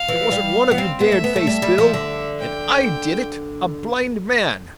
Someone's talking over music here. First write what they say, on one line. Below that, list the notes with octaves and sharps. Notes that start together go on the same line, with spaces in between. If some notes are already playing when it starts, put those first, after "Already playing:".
There wasn't one of you dared face Bill, and I did it--a blind man!
Already playing: F5
E3
G3
B3
C4
B3 E5
A3
B3
A3
G3
G3
F3
D3
G5